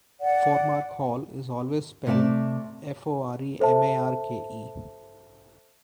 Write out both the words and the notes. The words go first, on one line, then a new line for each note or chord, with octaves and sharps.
Foremarke Hall - is always spelled "Foremarke".
D5 F#5
C3 A3 D5 E5 A5
A4 C5 E5 A5